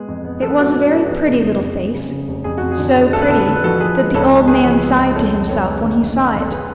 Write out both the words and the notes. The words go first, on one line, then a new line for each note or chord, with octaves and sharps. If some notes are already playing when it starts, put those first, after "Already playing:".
It was a very pretty little face, so pretty that the old man sighed to himself when he saw it.
Already playing: G#3 B3 G#4
F2
B3
F2 A4
B4
G#3 F#4 A4
G#3 C#5
B4
B3 A4
F2 G#4 B4
C#3
F1
F2
F2
C#3
C#3
F1
F2 G#4
F2 F#4
G#4
D3
F2
A3 A4
B4
D3 A4
B4
D3 A4
B4
F3 F#4 A4
F3 G#4 B4
G#3
C#2 A4 C#5
G#3
C#2 G#4 B4
F3
G#3
C#2
F2 A4 C#5
F2
B3 A4 C#5
G#3
D3
F2
F2
D3
A4
G#4 B4